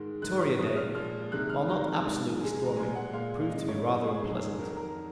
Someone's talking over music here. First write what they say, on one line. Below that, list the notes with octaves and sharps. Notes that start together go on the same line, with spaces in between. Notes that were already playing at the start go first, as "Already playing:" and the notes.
Victoria Day, while not absolutely stormy, proved to be rather unpleasant.
Already playing: G#2 D#3 G#3
G#2 D#3 G#3 F#6
F6
A#2 F3 G#3 D#6
F6
A#2 F3 G#3 F6
C3 D#3 G#3 F#6
F6
C3 D#3 G#3 A#5
G#2 D#3 G#3
G#2 D#3 G#3 G#5
A#5
A#2 G#3 G#5
F#5
A#2 G#3 F5
F5
F#2 C#3 G#3 D#5
C#5
F#2 C#3 G#3 C5
G#4
F2 D#3 F#3 G#4
G#4
F2 D#3 F#3 A#4
A#4